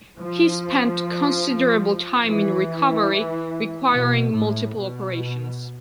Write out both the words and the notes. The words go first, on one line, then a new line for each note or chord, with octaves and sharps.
He spent considerable time in recovery, requiring multiple operations.
F3
E3
B2
A2
B2